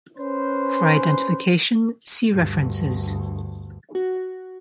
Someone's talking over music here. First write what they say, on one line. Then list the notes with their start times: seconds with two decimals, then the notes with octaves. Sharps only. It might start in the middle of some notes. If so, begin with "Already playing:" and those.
For identification see references.
0.17 C#4 B4 C5
2.30 D2 G2
3.95 F#4